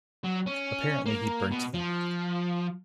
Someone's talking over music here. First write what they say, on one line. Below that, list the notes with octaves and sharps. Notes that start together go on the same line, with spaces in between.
Apparently he burnt them.
F#3
C#4
A#3
B2
F3